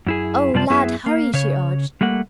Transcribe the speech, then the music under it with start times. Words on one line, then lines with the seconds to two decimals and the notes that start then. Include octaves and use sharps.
"Oh, Lad, hurry!" she urged.
0.07 F#2 E4 G#4
0.54 F#2 C3 G3 F4 D5 A5
0.70 F#2 B3 E4 G#4 E5
1.06 A#3
1.33 C#3 C#5
2.01 G3 A3 A#3 F#5